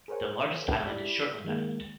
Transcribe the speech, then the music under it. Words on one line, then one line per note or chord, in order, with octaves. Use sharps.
The largest island is Shortland Island.
G#4 A#4 C5 C#5 F#5
E4 G4 D5 B5
D#3 G#3 A#3